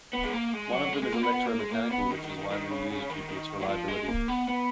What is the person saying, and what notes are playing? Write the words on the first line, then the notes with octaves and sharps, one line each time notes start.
One of them is electro-mechanical, which is widely used due to its reliability.
B3
G#3
A#3
G#3
F#3
G#3
G#3
A#3
B3
B3
A#3
G#3
A#3
B3
D#3
D#3
D#3
D#3
C#3
C#3
D#3
D#3
F#3
F3
G#3
A#3
B3
B3